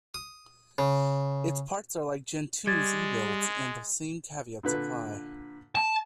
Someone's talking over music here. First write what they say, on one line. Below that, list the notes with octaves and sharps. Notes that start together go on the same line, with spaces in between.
Its ports are like Gentoo's ebuilds, and the same caveats apply.
D#6
C#3
G3 G#3 G#6 A6
A#2 D3 B4
A5